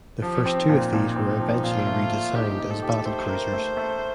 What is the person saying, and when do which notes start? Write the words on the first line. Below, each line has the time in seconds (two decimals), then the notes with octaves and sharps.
The first two of these were eventually redesigned as battlecruisers.
0.22 F3 G4
0.46 C4
0.58 D#4
0.69 A#2
0.93 A#2 D#4
1.16 C4
1.29 D#4
1.40 F3
1.64 A#2 F4
1.87 A3
2.11 A#2
2.35 D#4 G4
2.59 D#4
2.71 A4
2.82 G4
3.06 A3 C5
3.29 A#4
3.53 A3
3.77 A3